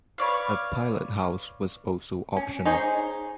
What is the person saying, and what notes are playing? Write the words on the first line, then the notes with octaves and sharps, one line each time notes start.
A pilothouse was also optional.
B4 C#5 D5 F5
C#4
D#4 G#4 C5 C#5